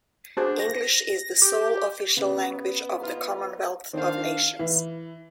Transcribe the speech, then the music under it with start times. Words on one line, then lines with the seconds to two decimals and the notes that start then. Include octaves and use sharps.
English is the sole official language of the Commonwealth of Nations.
0.37 D4 F#4 G#4 C5
0.60 A#6
1.42 G4
2.17 C#3 B3
3.03 D#4 F4
3.94 F2 D#3 C4 D4 C5 F5
4.59 E3